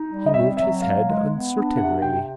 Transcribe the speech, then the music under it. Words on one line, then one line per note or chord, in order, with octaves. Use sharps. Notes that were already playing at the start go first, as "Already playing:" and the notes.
He moved his head uncertainly.
Already playing: D#4
G3
D#5
C4 E5
F#3 E5
G#3 F5
G#3
B3
D4
C3 F#5
C3 G5